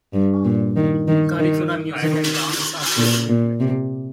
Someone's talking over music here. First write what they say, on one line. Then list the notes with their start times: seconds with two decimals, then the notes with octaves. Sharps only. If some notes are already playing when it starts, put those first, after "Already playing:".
Garifuna music and dance are closely related.
0.13 G2
0.45 A#2
0.76 D#3
1.08 D#3
1.39 D#3
2.03 D#3
2.97 A#2
3.29 A#2
3.60 C3